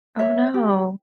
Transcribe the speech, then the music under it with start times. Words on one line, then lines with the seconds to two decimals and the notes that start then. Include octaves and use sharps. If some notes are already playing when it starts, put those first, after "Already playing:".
Oh no.
0.19 C#5 E5
0.54 G4